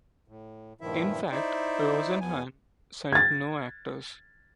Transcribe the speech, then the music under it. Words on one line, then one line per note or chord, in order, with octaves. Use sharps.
In fact, Rosenhan sent no actors.
A2
G2 A#2 D#3 F3 E4 E5
D#4 E4 C5 D5 E5
E2 B3 G#5
G#6 A6